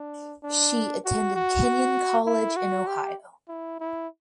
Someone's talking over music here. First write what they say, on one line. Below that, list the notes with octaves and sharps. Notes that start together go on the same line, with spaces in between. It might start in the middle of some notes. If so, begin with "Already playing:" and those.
She attended Kenyon College in Ohio.
Already playing: D4
D4
F#4
F#4
E4
F#4
G4
E4
E4